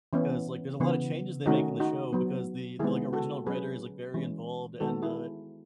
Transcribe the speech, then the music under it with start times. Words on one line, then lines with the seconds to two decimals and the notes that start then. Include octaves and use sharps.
'cause, like, there's a lot of changes they make in the show because the the, like, original writer is, like, very involved and, uh,
0.13 E3 B3 C#4 E4
0.80 C#3 E3 B3
1.46 D#3 A3 C#4 D#4 F#4
1.80 D#4 F#4
2.13 F#3 B3
2.79 D#3 G#3 B3 E4 G#4
3.13 F#4 A4
3.47 F#3 C#4 G#4 B4
4.14 E3 G#3 C#4
4.80 D#3 G#3 B3 F#4 A4
5.02 E4 G#4